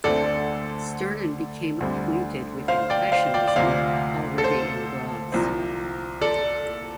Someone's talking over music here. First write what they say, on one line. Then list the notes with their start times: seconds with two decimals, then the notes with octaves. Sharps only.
Sternen became acquainted with Impressionism already in Graz.
0.04 D2 D3 A3 C4 A4 D5
1.80 D2 D3 G3 C4
2.68 C5 F5
2.90 D5 G5
3.12 C5 F5
3.34 D5 G5
3.48 D5
3.56 D2 C3 F3 C5 F5
4.38 A4
4.44 C5
5.32 C2 C3 F3 C4
6.21 A4 D5